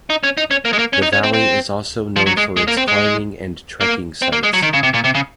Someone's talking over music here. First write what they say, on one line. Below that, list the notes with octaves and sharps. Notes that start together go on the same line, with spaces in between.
The valley is also known for its climbing and trekking sites.
D#4
C#4
D#4
C#4
A#3
G#3
A#3
C#4
D#4
C#4
C4
C4
F3
F#3
G#3
G#3
A#3
C4
G#3
A#3
C4
A#3
G#3
F#3
D#3
C#3
C3
A#2
C3
C#3